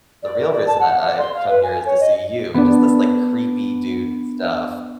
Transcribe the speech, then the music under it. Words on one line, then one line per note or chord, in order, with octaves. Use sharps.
the real reason I I come here is to see you," and just this, like, creepy dude stuff.
D5
A#4
D5
A5
F#5
D5
C6
F5
B4
G#5
C#5
D#5
B3 D4